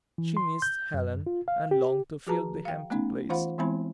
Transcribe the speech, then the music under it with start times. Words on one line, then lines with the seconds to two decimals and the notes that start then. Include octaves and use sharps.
She missed Helen, and longed to fill the empty place.
0.18 E3
0.37 C6
0.62 G6
0.94 F#2
1.27 F4
1.48 F5
1.71 G4
2.27 F3 F#4 G#4 B4 A5 A#5
2.65 F5 G5
2.90 A3 B3 C#4 D#4
3.30 E3 F4 C5 F5 F#5 B5
3.58 E3 G#3 B3 C4 E4 B5